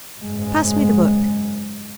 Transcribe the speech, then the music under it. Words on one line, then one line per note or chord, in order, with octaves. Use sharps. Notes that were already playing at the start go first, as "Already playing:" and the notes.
Pass me the book.
F#1 G#2 G#3